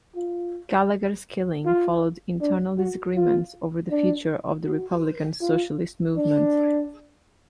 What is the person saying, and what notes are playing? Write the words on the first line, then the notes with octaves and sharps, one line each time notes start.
Gallagher's killing followed internal disagreements over the future of the republican socialist movement.
F4
F4
D4
F#4
F4
D4
F#4
F4
D4